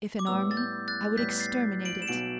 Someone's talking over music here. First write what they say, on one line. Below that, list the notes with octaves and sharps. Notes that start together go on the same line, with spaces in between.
If an army, I would exterminate it.
D6
A2 G3 B3 E6
A6
G6
F#6 A6
A2 G3 B3 G6 B6
A6 C7
D7 F#7
E7
B1 B2 F#3 B3 D7 F#7